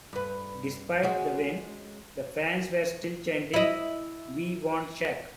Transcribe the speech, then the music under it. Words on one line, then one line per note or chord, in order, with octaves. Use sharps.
Despite the win, the fans were still chanting We want Shack!
G2 B4
G#3 C#4 F#4
E4 D#5